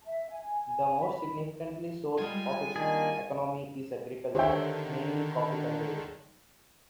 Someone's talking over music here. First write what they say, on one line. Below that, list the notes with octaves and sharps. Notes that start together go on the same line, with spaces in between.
The more significantly source of its economy is agriculture, mainly coffee cultivation.
E5
G#5
G#5
B5
G3 G#3 F4 G#5
D#3 A#3 D4 G#4
D3 D#3 G4 C5 C#5 E5 G5